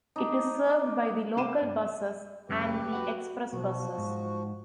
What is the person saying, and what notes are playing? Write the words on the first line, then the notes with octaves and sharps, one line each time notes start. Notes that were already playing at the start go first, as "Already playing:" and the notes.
It is served by the local buses and the express buses.
D4 D#4
C3 F5 D6 D#7 E7
G2
E5
C#2 F#2 C#3 G4 B4
F#4 F#5
B1 F3 F#4
G#2